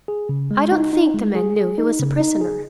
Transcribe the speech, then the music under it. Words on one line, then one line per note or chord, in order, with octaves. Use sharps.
I don't think the man knew he was a prisoner.
G#4
C#3
G#3
D#4
D#4
G#3
G#4
G#4
D#4
C#3
D#4
G#4